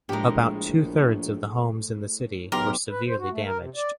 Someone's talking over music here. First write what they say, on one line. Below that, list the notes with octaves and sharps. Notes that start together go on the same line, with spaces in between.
About two thirds of the homes in the city were severely damaged.
A#1 A2 G#3 G4 A#4
B1 G4 A#4 A#5 C6
B4
C5
F#4
A3
A#4
C3
D5